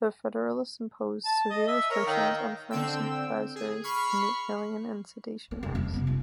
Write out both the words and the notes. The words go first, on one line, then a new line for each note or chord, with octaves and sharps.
The Federalists imposed severe restrictions on French sympathizers in the Alien and Sedition Acts.
A5
D#5
E5
A#4 C#5
D#3 F5
D3 C4 G5 E6
G#4
B5 C#6 F6 C7
A#3
F1
F2 G3
C3 B3
D#4 F4